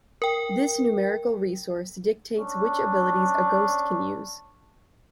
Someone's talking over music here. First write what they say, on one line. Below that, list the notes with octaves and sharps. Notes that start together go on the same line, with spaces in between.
This numerical resource dictates which abilities a ghost can use.
A#4 G5
C#4 D4